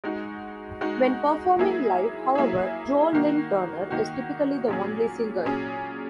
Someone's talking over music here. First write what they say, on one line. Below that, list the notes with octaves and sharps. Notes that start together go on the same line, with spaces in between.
When performing live, however, Joe Lynn Turner is typically the only singer.
G#3 D#4 F#4
G#3 D#4 F#4
F#3 A#3 E4 G#4
F#3 A#3 E4 G#4
D#3 A#3 D#4 F#4
D#3 A#3 D#4 F#4
A#2 F#3 C#4 G#4
A#2 F#3 C#4 G#4